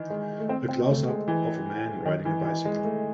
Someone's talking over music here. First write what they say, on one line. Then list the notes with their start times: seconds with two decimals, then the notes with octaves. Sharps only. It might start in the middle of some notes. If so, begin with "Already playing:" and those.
A closeup of a man riding a bicycle.
Already playing: D#3 E3
0.10 G#3
0.40 A3
0.49 C4
0.69 C4
0.88 A3
1.08 G#3
1.28 E3
2.06 D#3
2.25 E3
2.45 E3
2.65 G#3
2.85 A3